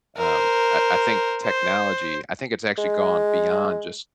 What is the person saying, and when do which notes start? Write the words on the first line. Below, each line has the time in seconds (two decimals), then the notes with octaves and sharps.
Um, I I think technology I think it's actually gone beyond just
0.17 A#4 C5
1.44 C5
2.78 G#3